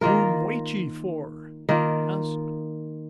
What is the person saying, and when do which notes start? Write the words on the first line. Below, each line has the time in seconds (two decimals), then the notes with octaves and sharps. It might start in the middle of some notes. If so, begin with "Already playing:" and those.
'Whom wait ye for?' he asked.
0.01 D#3 A#3 F4 A#4
1.69 D#3 A#3 F4